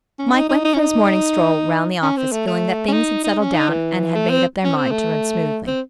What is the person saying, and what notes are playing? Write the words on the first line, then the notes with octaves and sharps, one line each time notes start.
Mike went for his morning stroll round the office feeling that things had settled down and had made up their mind to run smoothly.
C#4
D#4
D#4
D#4
C#4
D#4
C#4
C4
A3
A3
C#4
D#4
D#4
C#4
D#4
E3
A3
C4
C#4
C4
A3
C4